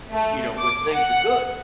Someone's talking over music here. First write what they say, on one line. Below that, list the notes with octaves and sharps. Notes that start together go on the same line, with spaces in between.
you know, when things are good,
A3
D6
F#5